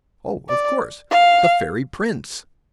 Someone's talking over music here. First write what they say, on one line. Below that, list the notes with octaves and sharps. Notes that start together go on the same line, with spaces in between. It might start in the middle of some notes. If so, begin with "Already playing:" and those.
Oh, of course, the fairy prince.
D5
F5